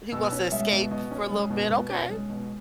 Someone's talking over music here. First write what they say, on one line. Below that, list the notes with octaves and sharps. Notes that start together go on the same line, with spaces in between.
He wants to escape for a little bit, okay.
B2 E6
C#4
G#3 E5
B2
B2 D#5
C#4
G#3
B2
B2
C#4
G#3
B2